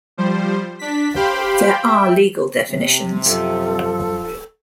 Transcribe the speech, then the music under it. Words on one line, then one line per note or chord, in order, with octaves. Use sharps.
There are legal definitions.
F3 G3 C5
D4 B6
G4 C5 F5 G5 B5 C6
E5 G5
C3
C#2 F#2 F3 A4